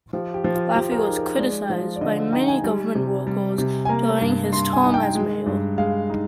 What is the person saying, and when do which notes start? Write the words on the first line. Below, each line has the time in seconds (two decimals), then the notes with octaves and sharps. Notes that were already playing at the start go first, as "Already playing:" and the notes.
Laffey was criticized by many government workers during his term as mayor.
0.13 F3 G4
0.34 G4
0.44 F3
0.55 F4
0.75 F3 G4
0.91 A#4
0.96 G#4
1.07 D#4
1.17 A#4
1.38 G#3 D5
1.70 F3
1.96 D5
2.01 D3 D#5
2.33 D#4 G5
2.48 G#5
2.64 G3
2.95 C3
3.27 G3
3.58 C3
3.85 G#5
3.89 A#3 A#5
4.21 G2
4.52 G2 C6
4.73 G#5
4.83 D#4
4.94 G5
5.15 G#3
5.46 G2
5.78 G#3 F5
6.10 D#4